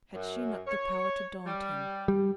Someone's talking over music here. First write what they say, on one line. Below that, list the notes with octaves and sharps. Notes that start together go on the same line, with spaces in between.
Had she not the power to daunt him?
F#2
C#5
G3
G3